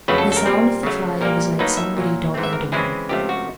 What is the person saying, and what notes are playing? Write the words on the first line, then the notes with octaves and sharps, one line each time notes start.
The sound of the fire was like somebody talking to them.
F2 C#3 F#3 A3 B4
A4
A4
A#4
A#2 G3 C4
C#3 F#3 A3
A#2 G3 A#3 A#4
A2 F#3 A#3 D#4 B4
E5
A#2 F#3 A#3
G#2 E3 A3 C4
E5
A#4
C#3 E3 G#3 C4 E4 G#4
C#2 C3 F3 A3 G4
F#4